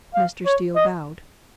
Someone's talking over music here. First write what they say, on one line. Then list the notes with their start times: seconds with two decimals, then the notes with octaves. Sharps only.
Mr. Steele bowed.
0.14 F5
0.45 C#5
0.76 D#5